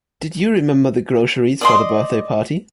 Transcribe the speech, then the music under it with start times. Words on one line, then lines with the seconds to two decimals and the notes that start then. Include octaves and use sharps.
Did you remember the groceries for the birthday party?
1.61 D5 D#5 C6